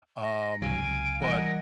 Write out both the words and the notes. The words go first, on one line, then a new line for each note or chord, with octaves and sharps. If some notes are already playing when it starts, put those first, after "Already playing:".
um, but
A#6
C#2 C3 F#3 F5 G#5 D7
E3 G3 A#4 D#5 F#5 G#5